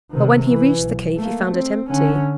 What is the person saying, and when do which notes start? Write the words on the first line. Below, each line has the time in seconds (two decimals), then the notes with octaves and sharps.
But when he reached the cave he found it empty.
0.11 C3 D#3
0.49 E3
0.79 B1
1.18 A3 A#3
1.52 C4
1.89 D3 C#4